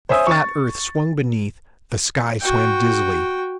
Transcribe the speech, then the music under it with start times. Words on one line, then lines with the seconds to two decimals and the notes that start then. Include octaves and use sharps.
The flat earth swung beneath, the sky swam dizzily.
0.09 C5 C#5 E5 G#5 D#6 E6
0.27 C#6 A6
2.41 F#4 G5